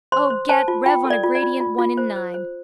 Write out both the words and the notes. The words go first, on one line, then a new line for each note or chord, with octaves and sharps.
O, get, rev on a gradient one in nine.
C5 C6
C5
C5 A5
F4
F4 G5
A4
D5
F4
D5
F4
F4
F4
C5
C5
C5